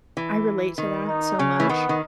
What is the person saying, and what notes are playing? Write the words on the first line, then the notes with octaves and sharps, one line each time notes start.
I relate to that so much,
E3
D#3
D#4
C#3 C#4
E3
D#3 B3
D#3